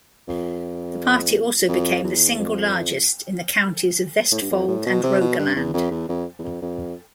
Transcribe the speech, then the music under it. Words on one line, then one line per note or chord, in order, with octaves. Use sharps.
The party also became the single largest in the counties of Vestfold and Rogaland.
F2
F2
E2
F2
A2
G2
F2
A2
B2
C3
B2
G2
E2
F2
E2
F2
E2
F2
F2